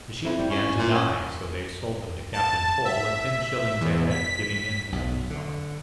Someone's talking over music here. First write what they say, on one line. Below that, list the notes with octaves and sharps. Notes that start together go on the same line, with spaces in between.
The sheep began to die, so they sold them to Captain Cole at ten shillings a head, giving in the other stock.
F2 E4
G3
C#4
A#2
C#4
A5
E5
E2
B6
B1
D3